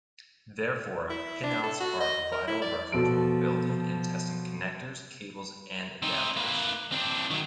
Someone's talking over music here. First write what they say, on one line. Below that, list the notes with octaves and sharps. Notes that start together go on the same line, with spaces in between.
Therefore, pinouts are a vital reference when building and testing connectors, cables, and adapters.
E4
D4
A4
F#4
D#5
A#4
E4
D5
B2 F3 A4 D7
C4 D#4
A#3 B4
C4 D4
D#3 F#3